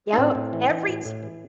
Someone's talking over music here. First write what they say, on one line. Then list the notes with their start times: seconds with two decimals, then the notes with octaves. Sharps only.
Yep, every
0.13 D#4
0.18 A2 C4
0.35 A2
0.53 E3
0.70 E3
0.88 A2
1.05 A2
1.23 E3